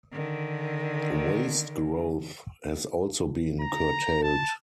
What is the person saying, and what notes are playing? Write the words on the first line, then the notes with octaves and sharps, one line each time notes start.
Waste growth has also been curtailed.
D3 D#3
A#5
A5